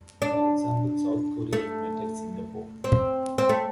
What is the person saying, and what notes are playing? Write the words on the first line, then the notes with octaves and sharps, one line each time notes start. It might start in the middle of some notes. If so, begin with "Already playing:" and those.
For example, South Korea invited Singapore.
D4
A3
C4
C4
A3